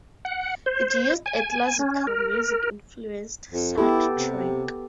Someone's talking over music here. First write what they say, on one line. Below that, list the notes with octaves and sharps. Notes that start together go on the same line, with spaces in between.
It used a classical music-influenced soundtrack.
F#5
C5
G#5
C#4
A#4
F2
B3 E4 G4 A4
C3